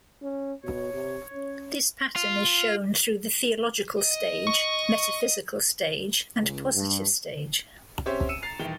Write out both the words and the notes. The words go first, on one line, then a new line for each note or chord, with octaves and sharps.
This pattern is shown through the theological stage, metaphysical stage, and positive stage.
C#4
B2 C#5
C3
C#4
F4
D#5
C#6
C#2
G2
C4 C#4 G4 C5 C#5 E5
E6 C#7 D#7 E7
A#5 A6 C7 F7
D#1 D#3 E3 G5 G7